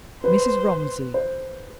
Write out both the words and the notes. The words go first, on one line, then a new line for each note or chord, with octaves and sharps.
Mrs. Romsey.
B4 C5
C5